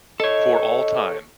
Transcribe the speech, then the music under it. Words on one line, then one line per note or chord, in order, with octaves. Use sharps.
For All Time.
A4 C#5 D#5